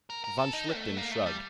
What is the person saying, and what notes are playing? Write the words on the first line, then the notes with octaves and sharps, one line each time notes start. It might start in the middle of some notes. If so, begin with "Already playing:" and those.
Von Schlichten shrugged.
A#4
A#4
A4
D#4
A3
A#3
A3
G3